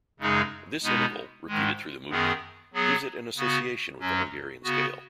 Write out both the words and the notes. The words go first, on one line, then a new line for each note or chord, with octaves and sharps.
This interval, repeated through the movement, gives it an association with the Hungarian scale.
F#2 C#3 G#3 D#4 G#4
B2 G#3 B3 D#4
G#2 D#3 G#3
F#2 D#3 B3 G#4
F#3 B3 G#4
C#3 B3 F#4
F#2 F#3 C#4
C#3 B3 F#4